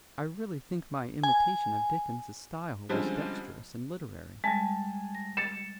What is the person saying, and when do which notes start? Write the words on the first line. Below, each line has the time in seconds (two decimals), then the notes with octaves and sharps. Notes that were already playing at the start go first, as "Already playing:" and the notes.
I really think my imitation of Dickens's style was dexterous and literary.
1.23 G#5
2.89 D3 F3 G3 G#3 C4 C#4
4.44 G3 G#3 G#5 A5
5.15 A#6
5.37 A6 C#7 E7